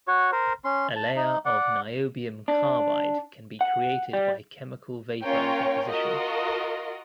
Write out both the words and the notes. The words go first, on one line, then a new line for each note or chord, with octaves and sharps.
A layer of niobium carbide can be created by chemical vapor deposition.
F#4 C#5
A#4 C5
C#4 C6
A5
D#4
D5 F#5
D4
F#5
G3
A#3 C#4 F4 A#4 C#5 G5
F4 F#4 A#4 D#5